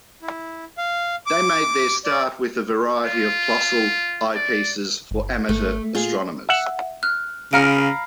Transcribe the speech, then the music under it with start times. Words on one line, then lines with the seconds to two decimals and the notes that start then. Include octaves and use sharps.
They made their start with a variety of Plossl eyepieces for amateur astronomers.
0.22 E4
0.78 F5
1.26 D6
2.05 D5
3.05 F4
4.35 D5
5.11 G1
5.49 G#1 A3
5.95 A#2 F4 G#4
6.49 E5 F#5
7.03 F6 F#6
7.53 C#3 F5 A#5 B5 F6 C#7 D7